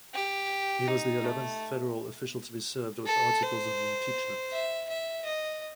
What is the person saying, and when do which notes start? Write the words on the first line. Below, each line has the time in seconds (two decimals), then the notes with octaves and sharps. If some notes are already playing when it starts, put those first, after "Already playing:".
He was the eleventh federal official to be served with articles of Impeachment.
0.14 G4
0.88 D#4
1.24 A3
3.07 A4
3.43 C5
4.53 E5
4.89 E5
5.25 D#5